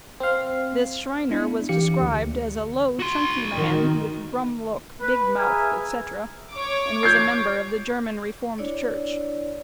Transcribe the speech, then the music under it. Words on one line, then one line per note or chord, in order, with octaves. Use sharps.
This Schriner was described as a "low chunky man, with grum look, big mouth, etc.," and was a member of the German Reformed Church.
C4 F5
B3 D4 E4
E3 G4 F5 C#7
D2
F#4 C6
D#3
B4
G#4 E5 F5 G#5 A#5
C#5 D6
G6 G#6 C7
D4 E4 C#5 D5